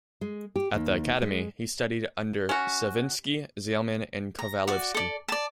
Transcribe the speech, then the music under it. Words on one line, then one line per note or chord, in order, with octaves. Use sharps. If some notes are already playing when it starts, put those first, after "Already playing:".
At the Academy, he studied under Savinsky, Zaleman and Kovalevsky.
G#3
G4
D#2
G#3
C#4 F#4
A#5
F#4 D5
A4 D5
D5 A5